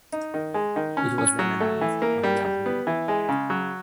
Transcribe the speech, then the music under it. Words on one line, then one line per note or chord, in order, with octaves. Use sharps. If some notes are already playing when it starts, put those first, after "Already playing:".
It was then announced by Yahoo!
D#4
D#3
G#3
D#3
C#4
C#4
F#3
A3
E3
A#3
G3
G3
B3
E3
G#3
C#3
F#3